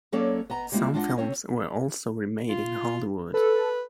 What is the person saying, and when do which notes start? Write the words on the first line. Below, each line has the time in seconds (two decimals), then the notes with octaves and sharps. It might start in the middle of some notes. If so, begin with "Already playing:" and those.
Some films were also re-made in Hollywood.
0.12 F#3 A#3 C#4 A4 C#5 D5
0.50 B3 D#5 A#5
0.72 G3 G#3 A#3 C#4 E4 F4
0.94 G#3 D4 F4 D#5 F#5
1.18 C4 C#4 C#5
2.49 F4
3.34 A4 B4